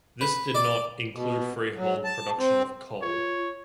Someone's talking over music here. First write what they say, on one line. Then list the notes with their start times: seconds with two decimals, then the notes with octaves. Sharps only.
This did not "include freehold production of coal".
0.21 B4
0.55 D5
1.15 B2
1.77 F#3
2.04 A5
2.38 C4
3.02 F4 C#5